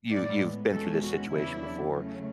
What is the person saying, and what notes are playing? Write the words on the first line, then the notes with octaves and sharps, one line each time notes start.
you you've been through this situation before.
A2 G#3 B3 D5
E2 B2 G#3 C#4 A4
F#4
E2 C#3 F#3 B3 D4 E4
C#3 F#3 A3 C#4